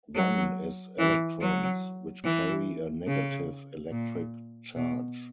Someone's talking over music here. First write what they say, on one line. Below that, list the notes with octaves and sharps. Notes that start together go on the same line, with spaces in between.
One is electrons, which carry a negative electric charge.
F#3
E3
F#3
E3
C#3
A#2
B2